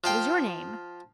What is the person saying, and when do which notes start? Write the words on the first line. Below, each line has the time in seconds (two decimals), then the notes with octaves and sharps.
"What is your name?"
0.04 F3 F5 G5